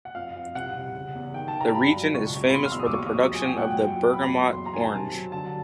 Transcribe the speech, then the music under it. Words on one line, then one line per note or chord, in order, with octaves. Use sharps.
The region is famous for the production of the Bergamot orange.
F#5
F2 F5
F2
C2 F#5
C2
C#3
E2
D#3 G5
A5
D#3
A#5
G2 B5
F#3
C#2 C#6
C#2
B5
E2 C6
F6
E2 E6
D#6
D6
D#2 C#6
D#6
F#3
C#6
A#2 G#5
G5
A#2 F#5
F#2 G5
F#3
E2 B5
E2
F#2 C6
A#5
D#3 G#5
A5
C3
F#3
D3 A5